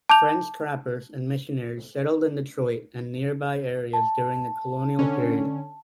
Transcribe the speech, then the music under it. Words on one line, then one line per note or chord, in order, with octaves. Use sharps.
French trappers and missionaries settled in Detroit and nearby areas during the colonial period.
A5 D6 G6 F7
A5
D3 C#4